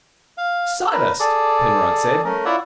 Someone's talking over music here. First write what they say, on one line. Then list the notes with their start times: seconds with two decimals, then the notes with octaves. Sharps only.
"Sawdust," Penrod said.
0.38 F5
0.93 A#4 B4
1.20 G#4 A4 D5
2.25 A3 C#4 A#4
2.45 E4 F4 C#5 D5 E5 F#5